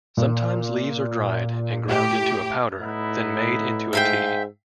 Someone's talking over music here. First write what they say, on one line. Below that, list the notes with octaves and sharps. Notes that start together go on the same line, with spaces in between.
Sometimes leaves are dried and ground into a powder, then made into a tea.
A#2
A2 G4
A2 B3 D#4 E4
G#2 E5 F5 G5